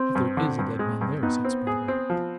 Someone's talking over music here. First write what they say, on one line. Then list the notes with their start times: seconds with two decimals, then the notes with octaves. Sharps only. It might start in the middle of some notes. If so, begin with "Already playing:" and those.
"If there is a dead man there," said Spargo.
Already playing: C4
0.15 G2
0.37 D3
0.59 G2
0.79 G#3
1.01 G2
1.23 B3 D#4
1.45 C4
1.67 G#4
1.88 C4
2.10 F3